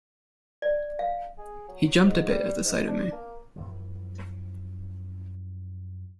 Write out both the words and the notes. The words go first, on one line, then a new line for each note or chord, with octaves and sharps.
He jumped a bit at the sight of me.
D5
F5
G#4
F#3
G#2
G3
G#2
D4
A#3
F#2 E3 F3